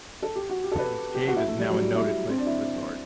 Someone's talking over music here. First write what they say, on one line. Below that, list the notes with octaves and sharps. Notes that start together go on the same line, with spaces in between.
Penns Cave is now a noted place of resort.
A4
G4
F#4
G4
A4
B4
G4
F#4
E4
A3
G3
F#3
G3
E4
C4
D4
E4